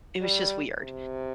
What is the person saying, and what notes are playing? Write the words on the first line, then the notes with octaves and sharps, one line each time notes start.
it was just weird.
G3
C3